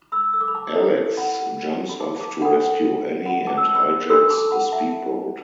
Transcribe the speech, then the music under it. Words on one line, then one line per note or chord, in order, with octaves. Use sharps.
Alex jumps off to rescue Annie and hijacks a speed boat.
B5 E6
E6
D6
B5
A5 D6
E4 A4
F#5 B5
B5
A5 D6
A5 D6
D4 A4 F#5 B5
F#5 B5
A5 D6
E6
B5 E6
D4 F#4 A4 B5 E6
A5 D6
F#5 B5
E5 A5